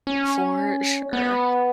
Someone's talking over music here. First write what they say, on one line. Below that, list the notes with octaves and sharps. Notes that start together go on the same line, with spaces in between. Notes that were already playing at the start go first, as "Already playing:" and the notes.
For sure.
C#4
B3